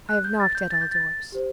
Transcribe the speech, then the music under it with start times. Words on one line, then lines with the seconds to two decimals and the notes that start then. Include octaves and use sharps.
"I have knocked at all doors."
0.09 F#6
0.24 G6
0.40 A6
0.55 G6
0.70 A6
0.81 G6
0.91 A6
1.32 G4 C5